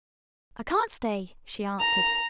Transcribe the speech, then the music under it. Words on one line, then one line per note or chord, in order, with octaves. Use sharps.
"I can't stay," she answered.
A#5